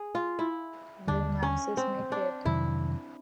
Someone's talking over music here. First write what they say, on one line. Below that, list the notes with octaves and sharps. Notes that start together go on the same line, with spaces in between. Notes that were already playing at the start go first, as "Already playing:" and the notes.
Will maxis make it?
Already playing: G#4
F4
E4
D#2 D3 G3 D4
C#4
C4
D4
F2 C3 D#3 F#3 E4